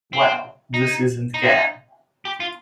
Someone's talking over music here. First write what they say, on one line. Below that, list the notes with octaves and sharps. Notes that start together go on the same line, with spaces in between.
Well, this isn't Cannes.
C4
D#4
D#4
G4
F4